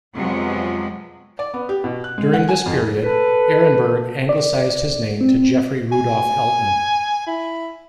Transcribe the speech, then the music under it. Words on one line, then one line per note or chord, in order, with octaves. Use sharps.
During this period, Ehrenberg anglicised his name to Geoffrey Rudolph Elton.
F2 C3 F3 F#3 G#3 B3
D5
B3
G4
B2
F#6
G#3
F#5
G#5
F2
A4 B4
D5
C4
G#5
E4